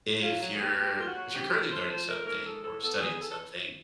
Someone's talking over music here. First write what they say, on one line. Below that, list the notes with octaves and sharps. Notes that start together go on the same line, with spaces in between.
if you're, if you're currently learning something or studying something,
F#3 F4
F#3
G#4
D#2 G4
F#3 G4
D#2 F4
F#4
F#3
G#2 G4
A3 A#4
A3 C5
F3 C5
A3 A#4
G#2 A#4
G#3 A4
A2 A4
B3 A4
B3 G#4
E3 A4
A4